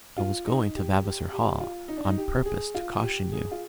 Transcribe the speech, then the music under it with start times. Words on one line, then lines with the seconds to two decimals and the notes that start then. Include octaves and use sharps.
"I was going to Vavasor Hall, on purpose to caution you."
0.18 F4
0.47 D#4
0.76 G4
1.04 G4
1.33 G4
1.60 F4
1.88 D#4
1.97 D4
2.06 D#4
2.17 G4
2.46 G#4
2.75 F4
3.02 G4
3.32 G#4
3.51 F4